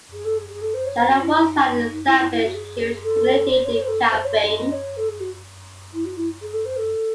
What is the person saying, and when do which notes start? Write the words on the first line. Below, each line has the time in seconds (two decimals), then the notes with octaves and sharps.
China once had an established Jewish community in Kaifeng.
0.13 G#4
0.25 A4
0.37 G#4
0.49 G#4
0.61 A4
0.74 C5
0.86 C#5
0.97 C5
1.10 F#4
1.22 E4
1.35 E4
1.46 D#4
2.06 E4
2.19 E4
2.31 E4
2.43 F#4
2.55 G#4
3.03 A4
3.52 C5
3.64 C#5
3.76 C#5
3.81 C5
3.88 A4
4.11 C5
4.24 C#5
4.36 D#5
4.48 D#5
4.72 C#5
4.97 A4
5.09 G#4
5.20 F#4
5.93 E4
6.05 F#4
6.17 E4
6.42 G#4
6.53 A4
6.65 C5
6.78 A4